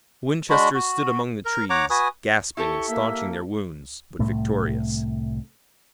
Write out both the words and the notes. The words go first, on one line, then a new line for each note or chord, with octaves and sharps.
The Winchesters stood among the trees, gasping and staunching their wounds, but victorious.
G#3 D4 F#4 B5
F#4
A#4
C#5 F#5 A#5 D6
F#4 B4 G#5 D#6
E4 G4 A4 C#6
A#3 E5
C2 A2 A3